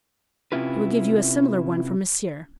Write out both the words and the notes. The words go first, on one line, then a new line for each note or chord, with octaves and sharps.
"He will give you a similar one for Monsieur."
C3 D#3 C#4 E4 F4 B4